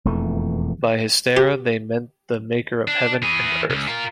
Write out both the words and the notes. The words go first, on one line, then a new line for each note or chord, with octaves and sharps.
By Hystera they meant the Maker of Heaven and Earth.
E1 F2 E3 A3
G4
D4
E3 G#4
C#2
F4 A#4